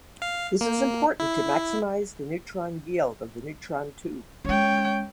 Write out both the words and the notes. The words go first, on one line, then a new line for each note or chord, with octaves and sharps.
This is important to maximize the neutron yield of the neutron tube.
F5
A#3
E4
G#3 C#4 C#5 G5